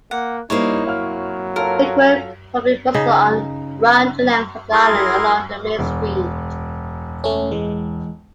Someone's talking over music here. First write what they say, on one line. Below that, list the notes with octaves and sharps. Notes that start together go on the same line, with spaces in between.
Frequent public buses run the length of the island along the main street.
A#3 F#5
C3 G3 A#3 D#4 E4 C5 C#5
F#3 F5 F6
F4 A4 A#4 C#5
C#3 D#4
E4 G#4 A#4 C6
E1
A3 C#4
E3 G#3